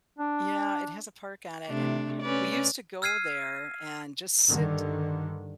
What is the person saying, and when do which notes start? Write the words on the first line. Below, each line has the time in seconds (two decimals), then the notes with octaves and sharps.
yeah, it has a park on it and we used to go there, and just sit
0.18 D4
1.67 C3 A3 D4
2.22 C#4 B4 D5
3.02 E6 F6 G#6 C7 D#7
4.48 G2 D3 D#3